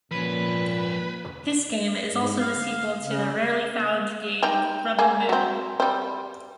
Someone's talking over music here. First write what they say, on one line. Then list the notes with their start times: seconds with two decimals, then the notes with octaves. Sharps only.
This game is also the sequel to the rarely found game "Rebel Moon".
0.12 A#2 F3 C#4 B4
2.12 G#2
2.38 F5
3.02 C#3
4.43 D#4 G4
4.99 A#3 G#4
5.29 F#3 C4
5.80 G3 C4